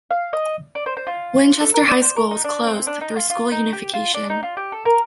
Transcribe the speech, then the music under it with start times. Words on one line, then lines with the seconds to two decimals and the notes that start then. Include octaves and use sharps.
Winchester High School was closed through school unification.
0.11 F5
0.33 D#5
0.75 D5
0.86 C5
0.97 C5
1.07 F4
1.61 A4
1.74 A#4
1.89 D5
2.02 C5
2.16 A#4
2.31 D#4
2.44 D4
2.67 C4
2.87 D4
3.01 D#4
3.16 F4
3.30 F4
3.52 D#4
3.73 G4
3.94 F4
4.14 D4
4.30 D#4
4.43 F4
4.57 G4
4.72 A4
4.85 A#4